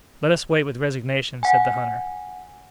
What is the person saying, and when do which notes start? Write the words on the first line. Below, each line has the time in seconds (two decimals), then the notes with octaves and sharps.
"Let us wait with resignation," said the hunter.
1.43 F#5 G#5